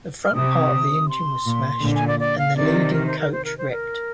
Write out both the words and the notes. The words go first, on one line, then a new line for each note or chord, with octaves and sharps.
The front part of the engine was smashed and the leading coach wrecked.
F6
C3 D#6
C6
A#2
A#2 D3
G#5
D5
D5
F5
C3 D#3 D5
A#4
C5
A#4
C5
A#4
C5
A#4